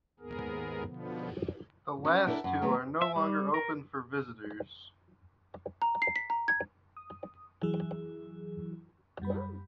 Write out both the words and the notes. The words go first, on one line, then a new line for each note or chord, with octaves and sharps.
The last two are no longer open for visitors.
D#2 G#2 B3 G#4 A#4
B2 D3 F3 B3
C#4 F#4
D4 E4 A4 A#4
F#2
D#3 F#3 A3 B3
E5
G3
A#4
A#5
C7
B6
A#5
G#6
D#6
E3 F#3 E4 G#4
F#2 G3 B5